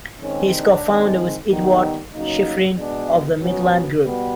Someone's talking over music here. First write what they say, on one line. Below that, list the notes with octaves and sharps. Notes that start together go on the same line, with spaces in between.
He is co-founder with Eduard Shifrin of the Midland Group.
D#3 G#3 C4 C#4
D4
D#3 G#3 C4
D#3 G3 B3 D#4
C#3 F#3 A#3 D#4
B2 G#3 B3 D4
B2 F#3 B3 C#4
B2 G3 B3